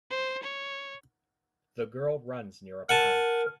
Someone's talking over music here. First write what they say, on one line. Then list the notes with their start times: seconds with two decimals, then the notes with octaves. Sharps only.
The girl runs near a pond.
0.10 C5
0.43 C#5
2.89 A#4 F#5 G#5 A5